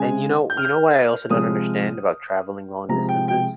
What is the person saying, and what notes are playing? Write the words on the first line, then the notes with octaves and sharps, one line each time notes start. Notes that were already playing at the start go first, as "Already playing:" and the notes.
And you know you know what I also don't understand about traveling long distances?
Already playing: C#3 G#3 G#5
G6
F6
G6
C3 F3 G#3 D#6
C3 F3 G#3 A#5
G5
G5